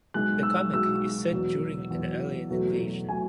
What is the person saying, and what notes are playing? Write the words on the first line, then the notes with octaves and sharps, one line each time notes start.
The comic is set during an alien invasion.
B1 B2 G#3 F#6
E6
B1 B2 G#3 E6
E2 B2 F#3
E2 B2 F#3
E2 B2 F#3 A3
B2 F#3 A3 G#5